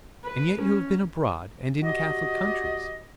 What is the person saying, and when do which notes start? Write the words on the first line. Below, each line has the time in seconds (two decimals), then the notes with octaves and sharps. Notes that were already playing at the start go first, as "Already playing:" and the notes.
"And yet you have been abroad, and in Catholic countries?"
0.24 B4
0.62 C#4
1.83 F#4 G4 D5 D#5